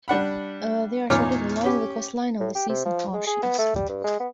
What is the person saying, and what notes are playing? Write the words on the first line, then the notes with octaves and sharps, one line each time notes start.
They are sorted along the coastline of the seas and oceans.
G3 D4 F#5 B5
E2 A#2 D#4 C#5 D6 F6
C#4 G4
A2
G4
C3
F3
G#3
G#4
B3
A3
G3
G2
G#3
B3